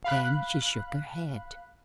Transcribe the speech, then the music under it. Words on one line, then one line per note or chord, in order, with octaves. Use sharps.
Then she shook her head.
F5 B5 F#6